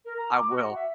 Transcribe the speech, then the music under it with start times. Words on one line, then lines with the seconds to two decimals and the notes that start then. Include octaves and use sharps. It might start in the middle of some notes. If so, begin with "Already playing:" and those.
I will.
0.05 A#4
0.17 A#5
0.34 D6
0.49 F#4
0.62 F#5
0.74 E5